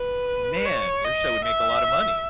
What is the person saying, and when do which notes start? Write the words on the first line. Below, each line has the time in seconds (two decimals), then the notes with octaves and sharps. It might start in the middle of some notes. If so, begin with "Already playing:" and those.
Man, your show would make a lotta money.
Already playing: B4
0.65 C#5
1.04 D#5
1.44 E5